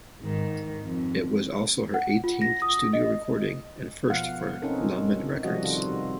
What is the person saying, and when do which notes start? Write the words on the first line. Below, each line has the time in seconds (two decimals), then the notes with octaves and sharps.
It was also her eighteenth studio recording and first for Lamon Records.
0.20 G#2 D#3
0.82 F2
1.94 F#5
2.24 F4
2.42 A#6
2.62 D#6
2.93 D#5
4.10 B2 F3 F5 F#5
4.62 C4 C#4 D#4 A4 A#4
5.02 C#4
5.43 C3 F3 G3 F#4 D#5
5.63 D#3 F3 D#4 F4 F#4 A4